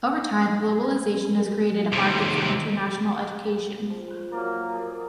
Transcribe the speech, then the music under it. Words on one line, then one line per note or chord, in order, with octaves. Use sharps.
Over time globalization has created a market for international education.
D#2 C3
F3
F#3 A#3 A#4 D5
G#4 D5